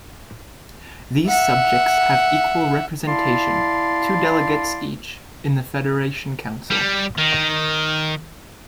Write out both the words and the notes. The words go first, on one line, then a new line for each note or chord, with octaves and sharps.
These subjects have equal representation-two delegates each-in the Federation Council.
E5 F#5
E4 D5 F5 A5 C6
G3
D#3